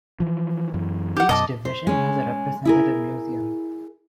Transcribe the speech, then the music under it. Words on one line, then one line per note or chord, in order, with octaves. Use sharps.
Each division has a representative museum.
E3 F3
F#2 E3
G4 F#5
F#2 B2 D#5 A5 D6
C5
G#3 C#4
E4 G#4 A#4